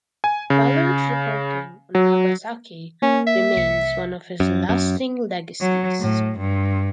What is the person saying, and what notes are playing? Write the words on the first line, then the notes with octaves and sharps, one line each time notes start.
Weller's reporting on Nagasaki remains one of his lasting legacies.
G#5
C#3
F#3
A#3 C#4
E5
C2 C#7
F#2
F#2
F#3
A2
G2